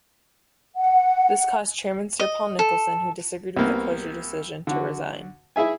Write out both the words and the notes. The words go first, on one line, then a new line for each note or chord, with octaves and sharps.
This caused Chairman Sir Paul Nicholson, who disagreed with the closure decision, to resign.
F#5
D#5
A4
C2 A#3 B3
D3 F#4
E4 G#4 E5 G#5